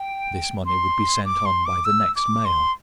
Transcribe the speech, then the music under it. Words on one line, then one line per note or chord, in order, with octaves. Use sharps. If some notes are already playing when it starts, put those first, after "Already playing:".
This money would be sent on by the next mail.
Already playing: G5
C6
D6
C6
D6
E6
D6
C6